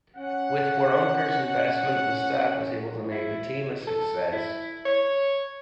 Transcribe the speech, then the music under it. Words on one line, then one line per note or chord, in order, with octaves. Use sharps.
With Waronker's investment, the staff was able to make the team a success.
C#4 F#5
E4
A4
E4
C#5